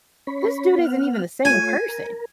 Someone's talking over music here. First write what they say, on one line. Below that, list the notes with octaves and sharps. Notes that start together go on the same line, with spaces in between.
this dude isn't even the same person.
C#4 C#5 B5
B3 F#5 F6
A3 F4 C#5 G#5
A#4